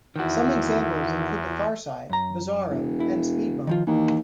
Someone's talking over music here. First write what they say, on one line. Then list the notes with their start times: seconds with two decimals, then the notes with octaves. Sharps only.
Some examples include The Far Side, Bizarro, and Speed Bump.
0.16 E2 D#3 E4 F#4
2.10 F#2 A#5
2.70 E1
3.00 E4
3.67 D#3 F3 F4
3.87 D#2 E3